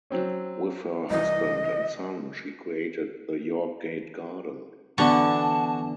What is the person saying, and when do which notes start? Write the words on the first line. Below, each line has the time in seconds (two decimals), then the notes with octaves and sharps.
With her husband and son she created the York Gate Garden.
0.10 F#3 C4 C#4
1.10 C2 E3 D#5
4.98 D3 E3 B3 D4 F#4 A5 C#6